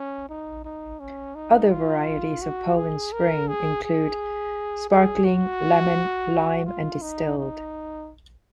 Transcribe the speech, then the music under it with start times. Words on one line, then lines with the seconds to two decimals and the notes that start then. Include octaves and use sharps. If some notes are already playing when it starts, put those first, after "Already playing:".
Other varieties of Poland Spring include sparkling, lemon, lime, and distilled.
Already playing: C#4
0.29 D#4
0.64 D#4
1.00 C#4
1.35 D#4
1.71 F4
2.42 F#4
2.77 G#4
3.13 A#4
3.48 G#4
3.83 G#4
4.89 G#4
5.25 F#4
6.67 F4
7.02 D#4
7.37 D#4